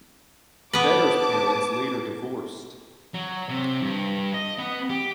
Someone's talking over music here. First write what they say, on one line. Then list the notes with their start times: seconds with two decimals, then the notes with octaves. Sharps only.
Vetter's parents later divorced.
0.73 B3 B4 A5 D6
3.14 F#3
3.49 C3
3.82 G2
4.34 D#5
4.58 B3
4.90 G4